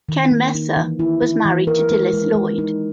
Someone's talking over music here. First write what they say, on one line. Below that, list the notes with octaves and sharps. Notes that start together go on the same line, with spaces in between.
Ken Messer was married to Dilys Lloyd.
D#3
A#3
D#4
E3
E4
E4
E3
A#4
G#3
G#3
G#3
D#4